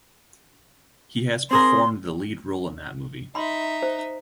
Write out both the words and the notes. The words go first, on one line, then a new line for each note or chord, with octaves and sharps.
He has performed the lead role in that movie.
C4 G#4 A#4 C6
D#4 E5 B5 C6
C5